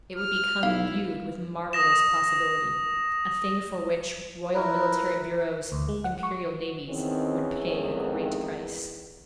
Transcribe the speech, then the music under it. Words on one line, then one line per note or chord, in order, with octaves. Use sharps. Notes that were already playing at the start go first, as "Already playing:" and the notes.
It would become imbued with marvelous possibility, a thing for which royal military bureaus, imperial navies, would pay a great price.
F6
B1 E4 F5
D#6 A#6 E7
E4 A#4 B4
D2
G#3
F#5
C#6
E2 D#3 C4 C#4
F2 G#2 D#3